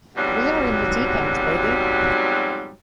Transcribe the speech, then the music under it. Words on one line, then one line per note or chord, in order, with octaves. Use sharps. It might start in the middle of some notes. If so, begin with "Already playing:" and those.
We are in the deep end baby.
F2 G#2 B2 F#3 G3